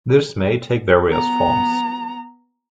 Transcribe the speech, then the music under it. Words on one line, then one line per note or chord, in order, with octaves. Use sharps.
This may take various forms.
B3 A#5